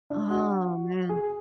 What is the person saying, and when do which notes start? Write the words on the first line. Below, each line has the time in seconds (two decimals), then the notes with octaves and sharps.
Oh, man.
0.10 D4
0.30 F#4
1.09 G#4